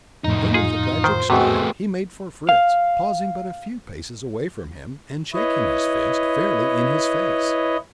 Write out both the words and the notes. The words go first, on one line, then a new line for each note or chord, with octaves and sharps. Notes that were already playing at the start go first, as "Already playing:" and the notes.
Then, with a tragic stride, he made for Fritz, pausing but a few paces away from him, and shaking his fist fairly in his face.
C2 F2 A2 D#4
D#4 F4 G#4
D#3 C5
C3 G#3 A3 B3 C4 F#4
F5
E4 B4 C#5 D#5